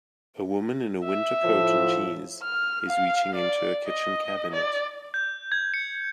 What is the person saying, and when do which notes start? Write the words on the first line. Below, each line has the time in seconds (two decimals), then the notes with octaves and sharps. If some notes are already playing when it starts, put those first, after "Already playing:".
A woman in a winter coat and jeans is reaching into a kitchen cabinet.
1.03 E5
1.44 A2 F3
2.42 F6
2.88 F5
3.35 D5
3.87 D#5
4.52 D5
5.14 G6
5.52 G#6
5.74 C#7